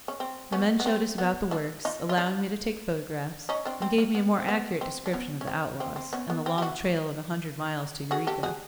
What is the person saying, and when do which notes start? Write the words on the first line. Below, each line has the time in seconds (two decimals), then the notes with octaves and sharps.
The men showed us about the works, allowing me to take photographs, and gave me a more accurate description of the outlaws, and the long trail of a hundred miles to Eureka.
0.08 C#4
0.20 C4
0.52 B3 C#4
0.80 B3
0.86 C4
1.18 B3
1.51 D4 E4
1.85 D#4 F4
2.09 F4
2.18 D4 E4
3.49 C#4 D#4
3.65 C4 D4
3.82 C4
3.98 A#3
4.15 B3
4.40 C4
4.48 B3
4.81 C4
5.06 D4
5.13 B3 C#4
5.41 C#4
5.47 C4
5.80 C4
5.96 C4
6.13 B3 C#4
6.30 B3
6.46 C4
6.58 G4
6.62 E4 F#4
8.11 F#4 G#4
8.27 G4 A4
8.43 F#4 G#4